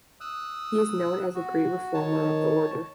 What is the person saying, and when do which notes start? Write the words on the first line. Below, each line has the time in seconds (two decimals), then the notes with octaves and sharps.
He is known as a great reformer of the order.
0.21 D#6 E6 F#6
1.35 F#4
1.94 D#3 C#5 A5